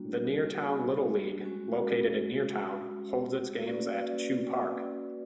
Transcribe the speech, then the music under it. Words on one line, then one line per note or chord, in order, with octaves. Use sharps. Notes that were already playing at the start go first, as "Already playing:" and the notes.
The Neartown Little League, located in Neartown, holds its games at Chew Park.
Already playing: G3 A#3 D4 F#4
G#3 C#4 F#4
A#3 C#4 F#4 B4 D5